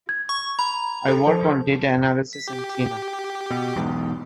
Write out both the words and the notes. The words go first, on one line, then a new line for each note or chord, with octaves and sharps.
I work on data analysis and cleanup.
G#6
C#6
A#5 B5
A4
F3
B6
G4
B2
B1 E2 G#2